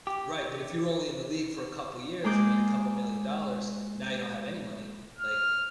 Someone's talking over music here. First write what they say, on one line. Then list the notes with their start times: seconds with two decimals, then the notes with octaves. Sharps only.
Right, but if you're only in the league for a couple of years, you made a couple million dollars and now you don't have any money, like,
0.07 G4
2.24 G#3 A#3 G#4 D6 G6
5.19 F6